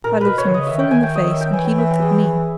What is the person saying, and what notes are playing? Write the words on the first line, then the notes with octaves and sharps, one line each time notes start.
I looked him full in the face, and he looked at me.
A#2 A#4
A#2 B4
B2
C#5
D#3
C#3 D#5
D#3 E5
G5
D#3 G#5
G5
D#5
E5
G5
E3 G#5
G5
E5
G5
G#4